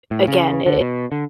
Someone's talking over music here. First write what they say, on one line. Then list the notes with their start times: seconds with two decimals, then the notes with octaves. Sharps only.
again i i
0.11 A2
0.28 C#3
0.66 D3
0.81 B2
1.12 D3